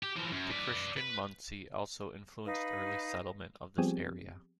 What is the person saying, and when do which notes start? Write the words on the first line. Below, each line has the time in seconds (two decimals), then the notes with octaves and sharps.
The Christian Munsee also influenced early settlement of this area.
0.03 G4
0.16 E3 F3
0.32 F#2
0.50 B4 D5
0.97 B4
2.45 D#4 B4 F5
3.78 F3 G3 B3 C4 G4 G#4